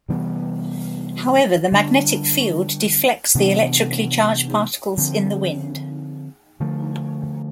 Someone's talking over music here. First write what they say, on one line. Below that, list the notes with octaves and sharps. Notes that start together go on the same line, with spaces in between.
However, the magnetic field deflects the electrically charged particles in the wind.
C3 E3 G3 B3
D3 G3 B3 D4
C3 E3 B3 D4
D3 F3 C4
D3 F3 A3